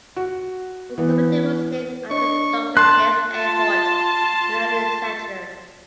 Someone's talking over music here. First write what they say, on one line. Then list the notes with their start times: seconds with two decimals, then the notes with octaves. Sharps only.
The community was named after Doctor James A. Hoyt, an early settler.
0.16 F#4
0.98 E3 B3
2.10 D4 C#5 D#5 C#6
2.77 A5 C6 F#6
3.31 F4 A5 C6